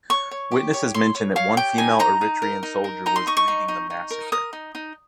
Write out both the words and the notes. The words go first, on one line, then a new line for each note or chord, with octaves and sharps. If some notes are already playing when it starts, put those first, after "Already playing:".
Witnesses mention that one female Eritrean soldier was leading the massacre.
C#5 C#6
C#5
G4
C#5
C#5 C6
C#5
C#5 F5
G4 G5
D#4 G#5
D#4 A#5
D#4
A#4
D#4
A#4
D#4 A#5
C6
D#5 C#6
C#6
D#4
D#4
D#4
A#4
A#4 D#6
D#4
D#4